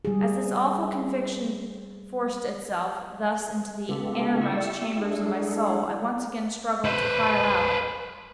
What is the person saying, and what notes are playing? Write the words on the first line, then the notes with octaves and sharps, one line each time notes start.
As this awful conviction forced itself, thus, into the innermost chambers of my soul, I once again struggled to cry aloud.
G3 G#4
C#3 G#3 B3 F4 G4 A4
E4 G4 C#6 E6
G#3 D4 E4 G#4 A4
B4 C5